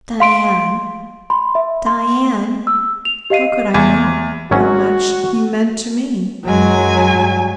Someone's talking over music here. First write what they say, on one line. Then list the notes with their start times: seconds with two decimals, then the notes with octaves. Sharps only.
Diane, Diane, how could I know how much you meant to me?
0.20 F5 C6 D7
1.30 B5 C6
1.55 E5
1.86 C6
2.67 E6
3.05 F7
3.30 G4 D#5 F5 C7 D#7
3.74 E2
4.51 G#1 F#3 C#4 F#4
6.45 F#2 F#3 G#3 G#5
7.15 G2